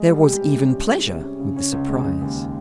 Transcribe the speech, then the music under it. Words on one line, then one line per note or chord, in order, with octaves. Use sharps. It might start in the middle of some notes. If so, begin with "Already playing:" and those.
There was even pleasure with the surprise.
Already playing: G#3
G3
G4
C3
C#4
G3
G#4
C3
C#4
C#3
C#4
C#2
G#3
C#3
D#2